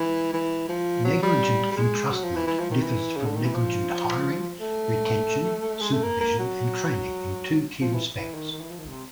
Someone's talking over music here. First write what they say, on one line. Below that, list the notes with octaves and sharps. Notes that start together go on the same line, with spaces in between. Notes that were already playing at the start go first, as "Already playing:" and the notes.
Negligent entrustment differs from negligent hiring, retention, supervision, and training in two key respects.
Already playing: E3
E3
F3
F#3
G3
G3
G#3
F#3
F3
E3
E3
F3
D#3
E3
C#3
D3
D#3
E3
F3
A3
G#3
A3
A#3
A#3
F#3
F3
E3
E3
D#3
D#3
E3
F3
D#3
C3